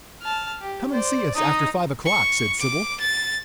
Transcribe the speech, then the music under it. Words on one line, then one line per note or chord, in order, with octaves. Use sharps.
"Come and see us after five o'clock," said Sybil.
A5 F6
G4
C5 D5
D#4 D#5 D#6
C#6
D6
A6